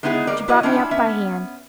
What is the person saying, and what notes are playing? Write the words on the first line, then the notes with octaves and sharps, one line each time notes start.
She brought me up by hand.
G#3 B3 D#4 E4 F#4 G#4
G3 A#3 A#4 D5
E4 F#4 D5 D#5
C#4 D4 E4 F4 G5
B3 C#4 E5